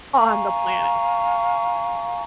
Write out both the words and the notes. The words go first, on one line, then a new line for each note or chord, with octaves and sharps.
on the planet.
F5 G#5 A#5 C#6